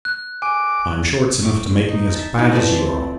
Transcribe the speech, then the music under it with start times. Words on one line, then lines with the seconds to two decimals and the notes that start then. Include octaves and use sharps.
I'm sure it's enough to make me as bad as you are.
0.05 F#6
0.42 G#5 D6
1.43 C#6 D6
1.88 D#4
2.15 E5 A5
2.38 D#4 E4
2.53 E3 F3 A3 D5
2.79 C4